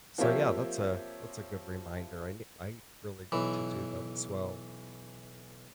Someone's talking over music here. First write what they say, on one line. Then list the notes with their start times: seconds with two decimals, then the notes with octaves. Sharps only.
so, yeah, that's a that's a good reminder. I ne I really need to do that as well,
0.18 F3 A#3 C4 G4 C#5 E5
3.32 B1 E3